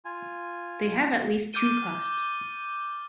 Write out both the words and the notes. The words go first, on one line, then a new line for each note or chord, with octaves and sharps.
They have at least two cusps.
F4 G#5
D6 F6 G6 A6 D#7 G7